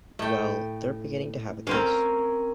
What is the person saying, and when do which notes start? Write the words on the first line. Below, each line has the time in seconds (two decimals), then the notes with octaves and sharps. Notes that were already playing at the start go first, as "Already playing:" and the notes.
Well, they're beginning to have a case.
0.19 A2 A3 G5
1.67 C4 C#4 A#4 C5 F5